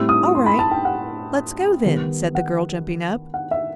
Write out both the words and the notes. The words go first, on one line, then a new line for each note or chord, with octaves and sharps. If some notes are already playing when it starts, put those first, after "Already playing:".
"All right; let's go, then," said the girl, jumping up.
Already playing: A2 G3 C4 E4 E6
D#6
C6
B5
A5
G5
F#5
D#3 G3 B3
F#5
F#5
E5